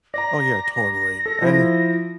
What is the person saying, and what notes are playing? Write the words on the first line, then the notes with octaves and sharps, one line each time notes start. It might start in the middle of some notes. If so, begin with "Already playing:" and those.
Oh, yeah, totally. And f
D5 A#5 A#6
A#6
A4
F3 E4